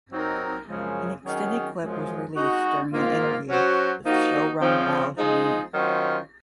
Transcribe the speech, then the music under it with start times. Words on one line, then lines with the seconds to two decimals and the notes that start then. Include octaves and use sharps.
An extended clip was released during an interview with showrunner Al Jean.
0.11 F#3 C4 D#4 A#4
0.67 F#2 C#3 F3 G#3
1.23 D#3 F#3 C#4 G#4
1.79 F#2 F3 G#3
2.36 G#3 D#4 F#4
2.92 G#2 D#3 A#3 F4
3.48 F#3 C#4 F#4 C5
4.04 F3 A#3 D#4 F#4
4.61 C#3 F3 C4
5.17 F3 G#3 D#4 G#4 C5
5.73 D#3 F#3 C#4 F4 C5